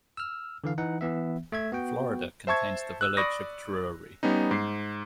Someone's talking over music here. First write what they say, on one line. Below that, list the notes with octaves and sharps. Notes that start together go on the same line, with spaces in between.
Florida contains the village of Drury.
E6 F6
D3 E3 F5
E3 D#4 F#5
E3 B3 E5
A3 E5 G#6
B3 F#4 G5
C5 E5 A5 C#6 G#6
E6 F#6
D5 B5 C#6 D#6 A#6
G3 B3 C#4 D#4
G#2 C7